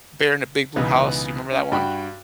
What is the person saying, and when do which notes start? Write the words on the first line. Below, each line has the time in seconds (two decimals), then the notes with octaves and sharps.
Bear in a Big Blue House, do you remember that one?
0.76 C#2 B2 E3 D#4 B4
1.52 C#4
1.72 G2 F#4 G5 B5